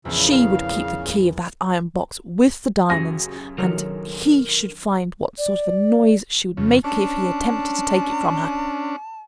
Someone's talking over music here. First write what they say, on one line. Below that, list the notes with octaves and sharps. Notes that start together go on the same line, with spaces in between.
And she would keep the key of that iron box with the diamonds, and he should find what sort of a noise she would make if he attempted to take it from her.
A#1 E2 C#3 E4
F5
F#2 C#3 F#4 G4 G#5 A#6
D#3 F#3 D4 A4 A#4
D5
F2 C#3
C#4 D4 A5